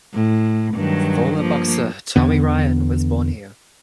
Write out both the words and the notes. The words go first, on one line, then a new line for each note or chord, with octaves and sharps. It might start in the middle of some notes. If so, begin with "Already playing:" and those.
Former boxer Tommy Ryan was born here.
A2
G2 D#3 F#3
F3 A#3
E2 D3 B3